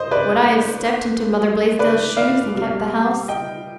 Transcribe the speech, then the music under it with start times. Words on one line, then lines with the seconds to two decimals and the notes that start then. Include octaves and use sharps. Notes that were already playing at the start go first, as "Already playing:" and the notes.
Would I have stepped into Mother Blaisdell's shoes and kept the house?
Already playing: G#2 C5 D#5
0.11 B4 D5
1.79 B4 D5
2.17 D5 F5
2.55 B2 G3
3.28 D#5 G5